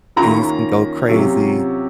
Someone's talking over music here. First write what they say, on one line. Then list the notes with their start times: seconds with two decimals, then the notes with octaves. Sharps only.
things can go crazy,
0.16 D#3 A#3 C#4 F4 A#5
1.08 C3 F#3 C#4 F4